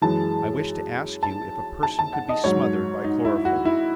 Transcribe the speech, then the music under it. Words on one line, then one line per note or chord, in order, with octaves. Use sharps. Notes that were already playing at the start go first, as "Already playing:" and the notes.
"I wish to ask you if a person could be smothered by chloroform."
F#2 E3 G#3 A5
A5
A5
A5
F#5
D#5
G#2 F#3 C#5
D#4
E4
F#4
E4